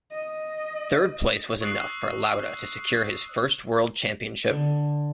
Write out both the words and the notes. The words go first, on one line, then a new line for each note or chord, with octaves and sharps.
Third place was enough for Lauda to secure his first world championship.
D#5
C#6 D#6 E6 F#6 C7
D3